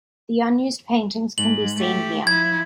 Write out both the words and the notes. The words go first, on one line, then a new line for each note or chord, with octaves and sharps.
The unused paintings can be seen here.
G#2 F#7
A3 G4
F3 E4 G#6